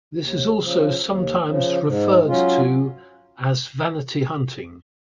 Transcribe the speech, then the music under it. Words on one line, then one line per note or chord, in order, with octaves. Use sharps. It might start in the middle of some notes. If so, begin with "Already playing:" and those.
This is also sometimes referred to as vanity hunting.
D#2
C#3 F3
D#2
C#3 F3
G#2
F#3 C#4 F4